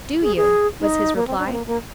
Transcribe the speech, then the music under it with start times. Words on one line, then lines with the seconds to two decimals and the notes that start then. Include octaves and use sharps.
"Do you?" was his reply.
0.22 G#4
0.37 G#4
0.80 D#4
1.16 A#3
1.27 C4
1.38 D4
1.46 C4
1.52 A#3
1.67 A#3